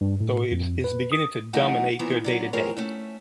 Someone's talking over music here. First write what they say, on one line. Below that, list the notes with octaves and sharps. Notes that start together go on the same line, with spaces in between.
so it's, it's beginning to dominate their day to day.
G2
A2
F2
B4
D#6
E3 F#3 A3 D#4 F#4 F#5
A#2 E3 F3 B3 A#4 E5
D3 F#3 B3
A2 F3 C4 G#4 A#4 C#5
A3 C#4 E5